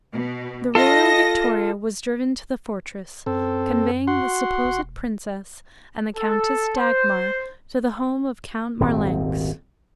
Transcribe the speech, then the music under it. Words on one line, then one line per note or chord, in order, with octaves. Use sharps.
The royal victoria was driven to the fortress, conveying the supposed princess and the Countess Dagmar to the home of Count Marlanx.
B2
F4 A4 D#5 A#6
F#2 C4 A4
F#4 F#5 C6
E1
A4
C5
D#1 G#1 C4